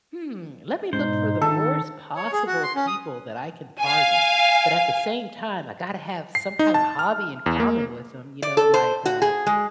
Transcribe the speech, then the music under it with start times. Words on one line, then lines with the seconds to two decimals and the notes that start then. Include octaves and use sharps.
"Hmm, let me look for the worst possible people that I can pardon, but at the same time, I gotta have some kinda hobby in common with them," you know, like, "Uh
0.93 G#2 B2 D#4 C5
1.42 D#3 D4 F4 G#4 A4
2.16 C#5
2.32 G#4
2.47 F#4
2.63 C6
2.75 C#4
2.87 D#6
3.82 F5 G#5
6.35 C7
6.59 D#4
6.74 A5
6.99 F6
7.46 E2
7.60 A#3
8.42 D5
8.57 A4
8.74 C5
9.05 F#4
9.22 G#4
9.47 G#3